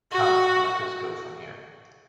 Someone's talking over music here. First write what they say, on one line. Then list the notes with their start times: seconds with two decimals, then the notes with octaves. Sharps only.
Come, let us go from here!
0.12 F#4